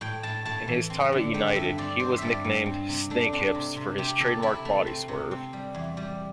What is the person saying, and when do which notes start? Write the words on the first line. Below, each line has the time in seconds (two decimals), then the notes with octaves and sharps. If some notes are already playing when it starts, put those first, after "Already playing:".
In his time at United, he was nicknamed "Snakehips" for his trademark body swerve.
0.01 A2 G5
0.23 A2 A5
0.45 A2 A5
0.68 E3
0.90 C4
1.12 D3
1.34 A3 G5
1.56 G2 E5
1.78 C4 D5
2.00 C4 C5
2.18 G2 D5 E5
2.44 G2
2.66 C4
2.89 C3
3.10 A3 D4
3.32 C4 D4
3.55 C3
3.77 C3
3.98 C3 G4
4.20 C3 A4
4.42 C3 E4
4.65 A3
4.87 C4
5.08 C3
5.31 C4
5.53 G3
5.75 E2
5.97 G3